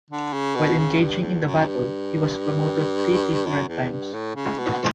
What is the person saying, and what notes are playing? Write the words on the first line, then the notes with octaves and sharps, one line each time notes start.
While engaging in the battle, he was promoted three different times.
D3
C#3
B2
C#3
G2
E2
F#2
G2
F#2
E2
G2
A2
C#3
B2